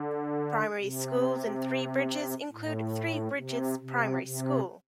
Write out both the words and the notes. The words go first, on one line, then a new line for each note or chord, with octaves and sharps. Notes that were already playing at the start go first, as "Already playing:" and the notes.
Primary schools in Three Bridges include Three Bridges Primary School.
Already playing: D3
C3
A2
C3
C3
C3